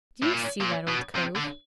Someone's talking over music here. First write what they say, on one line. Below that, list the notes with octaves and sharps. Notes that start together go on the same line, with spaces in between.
"Do you see that old cove?"
A2
A#2
A#2
B2
C3
D3